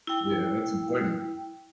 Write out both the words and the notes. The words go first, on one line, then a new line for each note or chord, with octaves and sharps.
Yeah, that's important.
E4 G5